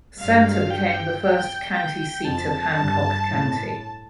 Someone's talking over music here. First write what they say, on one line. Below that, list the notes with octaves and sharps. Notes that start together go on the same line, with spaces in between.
Center became the first county seat of Hancock County.
G2 F5
G5
G5
G5
F2 A5
G2
A2